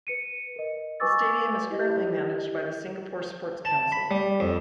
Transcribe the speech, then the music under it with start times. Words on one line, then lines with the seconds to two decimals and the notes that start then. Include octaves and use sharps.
The stadium is currently managed by the Singapore Sports Council.
0.07 B4 C#7 D#7
0.56 A#4 D#5
1.00 B4 G#5 C#6 D6 E6 A6
1.70 E4 G4 D#5
3.65 A5
3.92 B5
4.11 G3
4.40 F2